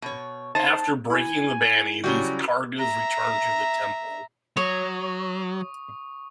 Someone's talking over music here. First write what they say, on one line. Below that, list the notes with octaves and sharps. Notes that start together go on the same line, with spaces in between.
After breaking the Banni, these karagas return to the temples.
B2 C#5
D#4 C5 A5
E4 G#5
C#3 F#3 G3 C#4 F#4
E5 A#5
F#3 C#5 C#6 D#6